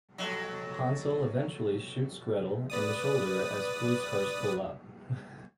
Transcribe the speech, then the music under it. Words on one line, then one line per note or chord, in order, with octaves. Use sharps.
Hansel eventually shoots Gretel in the shoulder as police cars pull up.
F2 F#3
B4 D5 D#6